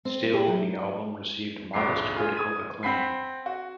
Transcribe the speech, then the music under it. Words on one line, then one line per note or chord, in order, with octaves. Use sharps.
Still, the album received modest critical acclaim.
C4
E4 G4 G#4
F#2 F#3
D#1 A#1 G#2 D6 C7
A3 F4 G#4
D#6 G#6 D#7
C4 F#5 G5 B5 B6 C7
F#4